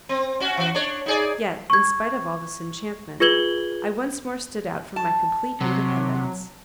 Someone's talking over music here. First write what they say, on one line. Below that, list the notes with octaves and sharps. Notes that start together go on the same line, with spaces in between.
Yet, in spite of all this enchantment, I once more stood out for my complete independence.
C4
C#4 F#4
E3 F#4
D4 C#5
D#4 G#4 D5
C#6 G#6
F4 G#4 B4 G#6 F#7 G7
A5
C3 F#3